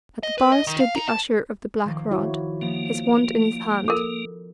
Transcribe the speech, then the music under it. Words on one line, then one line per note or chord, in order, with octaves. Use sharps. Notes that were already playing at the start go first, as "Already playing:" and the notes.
At the bar stood the Usher of the Black Rod, his wand in his hand.
D#5
B4
D#5
D#3
F5
D#4
A5
D#3 F3 A#3
E4 F#4 C#5
F3 A#3 B3
A4 A#4